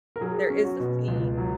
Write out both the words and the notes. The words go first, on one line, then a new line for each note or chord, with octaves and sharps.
There is a fee,
A#4
F#3 G#4
C#4
F#4
B2
C#2
F#3